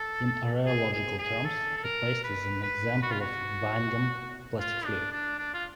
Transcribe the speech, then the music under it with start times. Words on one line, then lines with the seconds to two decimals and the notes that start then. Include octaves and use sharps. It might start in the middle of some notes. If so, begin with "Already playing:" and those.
In rheological terms, a paste is an example of a Bingham plastic fluid.
Already playing: A4
0.66 G#4
0.92 G#4
1.19 G#4
1.45 A4
1.77 A4
1.84 A#4
2.23 B4
2.63 B4
3.02 F#4
3.11 F4
3.20 F#4
4.59 F4
4.85 D4
5.12 D4
5.38 D4
5.54 F4